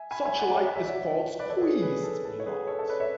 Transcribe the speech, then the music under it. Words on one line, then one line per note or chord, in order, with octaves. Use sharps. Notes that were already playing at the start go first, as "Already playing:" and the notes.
Such light is called squeezed light.
Already playing: E5 G#5
G#5 B5
E5 G#5
D5 F#5
C#5 E5
C#5 E5
C#5 E5
D5 F#5
B4 D5
A4 C#5
G#4
G#4 B4
A4
A4
C#5
G#4 B4
A4 C#5
A4 C#5
B4 D5
C#5 E5